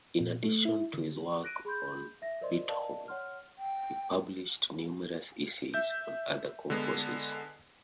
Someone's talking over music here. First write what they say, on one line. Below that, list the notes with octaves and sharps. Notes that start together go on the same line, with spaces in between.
In addition to his work on Beethoven, he published numerous essays on other composers.
A#2
A3
E4
D3
F#6 A#6 D7 D#7
G#4 B5 C6 G6
E5 A#6
A#4 C5 D5 D#5 C6
A#4 B4 D5 D#5 F5 A5
C#5 F#5 C6 F6
G5
E5 G6
D3 G#3 B3